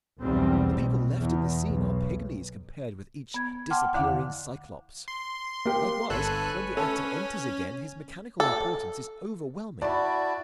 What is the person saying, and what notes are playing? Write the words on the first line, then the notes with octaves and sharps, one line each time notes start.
The people left in the scene are pygmies compared with each disappearing cyclops. Likewise, when the actor enters again, his mechanical importance is overwhelming.
B1 E2 G3 C4
B2
E2
B1
B3 G#6
F#5 G5 A5 C6 D6 F6
E2 D3 D#3 F5 F#5 D6
C6
A#3 G4
G1 A4 B4 C#5 G#5 F#6
C#4 A4
A4
E4 F#4 D5 A5 B5